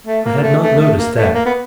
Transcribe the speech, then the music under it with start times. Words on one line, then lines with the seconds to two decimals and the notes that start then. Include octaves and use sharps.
I had not noticed that.
0.07 A3
0.25 A#3
0.43 A3
0.62 A3
0.80 A3
0.98 A#3
1.16 A3
1.35 A#3
1.46 B3